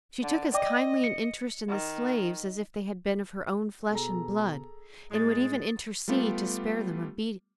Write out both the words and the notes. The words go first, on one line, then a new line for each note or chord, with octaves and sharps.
She took as kindly an interest in the slaves as if they had been of her own flesh and blood, and would even intercede to spare them a beating.
D3
D5 D#5 G5 D6
C#7
D#3
B2 G#4 A4 A#5
A2 G#3 D#6 A6
G3 A3 B3 F4 G4